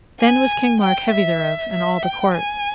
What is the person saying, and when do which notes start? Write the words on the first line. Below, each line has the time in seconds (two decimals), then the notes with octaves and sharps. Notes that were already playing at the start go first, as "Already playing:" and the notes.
Then was King Mark heavy thereof, and all the court.
0.20 G#5
0.81 G5
1.12 E5
1.73 E5
2.03 G5
2.34 G#5